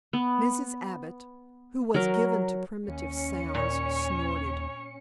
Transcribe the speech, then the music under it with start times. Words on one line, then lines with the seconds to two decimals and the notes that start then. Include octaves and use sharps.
Mrs. Abbott, who was given to primitive sounds, snorted.
0.13 B3
1.94 F#3 A#4
2.88 D#2 C#4 C#7
3.55 A#2 C#5